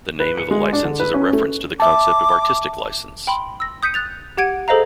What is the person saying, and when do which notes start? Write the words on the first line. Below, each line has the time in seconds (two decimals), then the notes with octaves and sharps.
The name of the license is a reference to the concept of artistic license.
0.20 B4
0.38 C#7
0.51 G#3
0.73 D4
0.84 D3
1.00 B4
1.14 C#4
1.33 A3
1.80 E5 A5 D6
3.27 G5 B5 C6
3.60 E6 A#6
3.83 D#6 G6 B6 C#7 D#7
3.94 F#6 A6 F7
4.37 G4 F#5 G#6 D7 D#7
4.68 G#4 A4 C5 D#5 F5 A#5